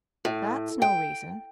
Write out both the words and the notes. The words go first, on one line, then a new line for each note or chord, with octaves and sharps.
That's no reason.
A2
G5